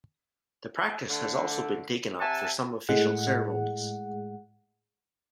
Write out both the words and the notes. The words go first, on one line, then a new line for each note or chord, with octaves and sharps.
The practice has also been taken up for some official ceremonies.
D3 A3
C3 E5 F#5 G#5 A5
A2 G#3 F#5